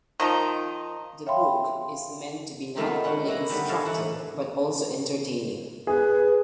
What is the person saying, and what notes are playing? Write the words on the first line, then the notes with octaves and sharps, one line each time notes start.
The book is meant to be not only instructive but also entertaining.
D#3 F3 D#4
C#5 E5 F5 G5 B5 C6
D#3 G#3 A3 B3 C#4 F4
C#4 F#5 G5 C6
A#3 E4 F#5 A#5
D3 D#3 F#3 G3 A3 B3
A4 A#4 C#5 F5 A5
E3 F#5
G#4 B4